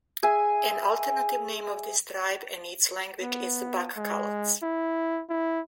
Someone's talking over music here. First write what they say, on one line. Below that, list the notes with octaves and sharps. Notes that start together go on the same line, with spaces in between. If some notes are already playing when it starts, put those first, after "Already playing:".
An alternative name of this tribe and its language is "Bugkalots".
G#4 E5 G#5
B3
G#3
E4
E4